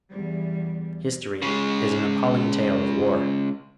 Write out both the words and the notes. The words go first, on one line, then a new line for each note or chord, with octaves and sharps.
History is an appalling tale of war.
E2 G3
C#3 G#3